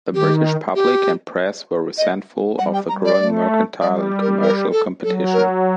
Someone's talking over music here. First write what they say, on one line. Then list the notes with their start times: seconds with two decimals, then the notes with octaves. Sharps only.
The British public and press were resentful of the growing mercantile and commercial competition.
0.14 D#3 G4
0.75 G4
1.98 D#5
2.58 G3 F#5
2.74 G5
2.89 G3 A#5
3.05 D5
3.20 A3
3.81 G3 D5
4.21 A#4
4.42 A#4
4.72 A4
5.03 F#3 A4
5.34 A#4